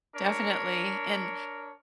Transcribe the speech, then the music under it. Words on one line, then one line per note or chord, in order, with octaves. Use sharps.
Definitely, and
D4 A#4 C#5